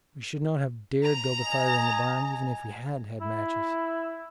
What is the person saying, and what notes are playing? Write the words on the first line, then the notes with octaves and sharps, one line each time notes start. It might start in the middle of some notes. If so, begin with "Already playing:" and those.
We should not have dared build a fire in the barn, even if we had had matches.
A#5
D#5 G#5
E4